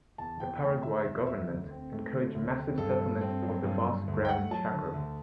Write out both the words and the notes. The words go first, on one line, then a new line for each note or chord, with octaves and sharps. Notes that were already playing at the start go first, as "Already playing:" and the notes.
The Paraguay government encouraged massive settlement of the vast Gran Chaco.
E2 A5
E2 G5
A3 G5
D3 E5
E2 E5
E2 E5
D2
C4
A3
D3
D2
C4
G2 A4
G2
C4
F#3
G2
G2
D2
G5
A3 F#5
F#3 A5
D3
D2